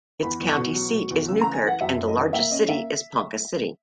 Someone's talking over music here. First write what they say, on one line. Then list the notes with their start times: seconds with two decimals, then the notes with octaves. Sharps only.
Its county seat is Newkirk, and the largest city is Ponca City.
0.22 E2 B5
0.40 E2
0.49 C#6
0.57 B2
0.75 F#3
0.93 B2
1.11 E2
1.28 C#3 E6
1.41 E3 A#5
1.54 G#5
1.63 E3 F#5
1.81 F#2 E5
1.98 F#2
2.08 D#5
2.16 E3
2.33 A#3 E5
2.51 C#4 D#5
2.69 A#3 E5